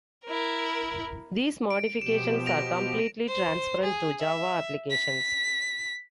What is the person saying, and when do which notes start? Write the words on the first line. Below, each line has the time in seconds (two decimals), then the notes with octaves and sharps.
These modifications are completely transparent to Java applications.
0.25 E4 A#4
1.70 D7
2.01 B2 F3 G4 E7
2.46 A#6 D7 F7
3.28 C5
3.83 G#4
4.20 E5
4.90 B6